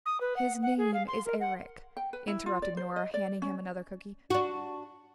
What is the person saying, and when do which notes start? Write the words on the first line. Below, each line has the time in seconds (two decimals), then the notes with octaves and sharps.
"His name is Eric," interrupted Nora, handing him another cookie.
0.05 D#6
0.20 B4
0.36 F#5
0.62 F#5
0.77 G#4
0.93 F5
1.07 C6
1.25 A#4
1.40 F#5
1.97 G5
2.13 B4
2.27 E4
2.46 F4
2.62 D5
2.77 C5
2.96 D#5
3.14 D5
3.42 C#4
4.30 D4 F#4